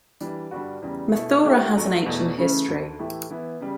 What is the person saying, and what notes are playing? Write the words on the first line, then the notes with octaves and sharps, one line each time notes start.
Mathura has an ancient history.
E3 G3 D4
G2 D3 G3 D4 F#4
E2 C#3 G3
B2 A3 E4 A4
D3 A3 E4 G4
G2 F#3 A3
E2 B2 A3
C#3 E3 A3 C#4
D2 D3 A3
A2 E3 A3 E4 G4
E3 B3 E4
C#3 G3